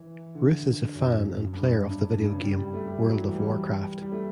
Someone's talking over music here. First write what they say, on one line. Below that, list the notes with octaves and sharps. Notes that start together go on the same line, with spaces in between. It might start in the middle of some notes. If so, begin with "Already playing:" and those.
Routh is a fan and player of the video game "World of Warcraft".
Already playing: E3
D3
F#2
G2
G2
G2
G2
C#3
G3
G3
A3
G3
F#3
E3
G3
G3
A3